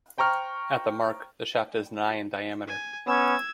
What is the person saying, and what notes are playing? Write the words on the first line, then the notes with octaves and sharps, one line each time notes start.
At the mark, the shaft is nigh in diameter.
C5 G5 A#5 C#6 F6
G#5
B3 C#4 E6 G#6